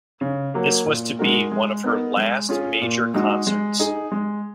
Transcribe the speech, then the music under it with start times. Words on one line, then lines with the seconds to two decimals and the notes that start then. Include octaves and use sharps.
This was to be one of her last major concerts.
0.21 C#3
0.54 F#3 A#3
0.86 A#2
1.19 G#3 D#4 F#4 A#4
1.52 G#3
1.84 B3 D#4 A#4
2.17 G#3
2.49 C#4 F4 G#4
2.81 A#2
3.14 G#3 D#4 F#4
3.47 G#3
3.79 D#4 G#4
4.12 G#3